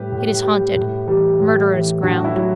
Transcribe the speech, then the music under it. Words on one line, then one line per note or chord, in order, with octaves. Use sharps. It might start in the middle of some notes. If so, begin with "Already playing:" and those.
It is haunted. Murderer's ground.
Already playing: A2 G3 G4 B4
A2
G3
A2
E3 G3
A2
E3 G3
A2 D4 F#4
E4
F#3